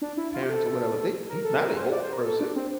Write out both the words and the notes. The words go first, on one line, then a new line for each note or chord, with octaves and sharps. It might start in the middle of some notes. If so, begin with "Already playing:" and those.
parents or whatever, they He's not an old person,
D4
E4
F4
G4
A4
A#4
A4
A#4
C5
D5
C5
A#4
A4
D4
C4